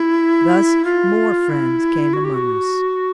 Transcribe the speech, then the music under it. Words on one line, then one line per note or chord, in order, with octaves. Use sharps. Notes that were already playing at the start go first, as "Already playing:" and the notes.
Thus more friends came among us.
Already playing: E4
F4
E4
F#4
G4
F#4